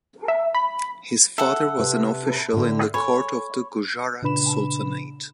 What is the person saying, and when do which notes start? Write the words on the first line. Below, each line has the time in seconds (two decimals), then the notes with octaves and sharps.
His father was an official in the court of the Gujarat Sultanate.
0.28 E5
0.55 B5
1.38 A4 E5 F#5
1.79 C3 G4 B4
2.53 A2 D3
2.94 A4 C#5 G#5 B5
4.22 A#2 C#3 D4 B4 B5 E7